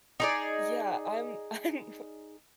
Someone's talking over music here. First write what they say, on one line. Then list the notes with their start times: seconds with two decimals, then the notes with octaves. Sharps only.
Yeah, I'm I'm
0.20 D#4 G#4 D5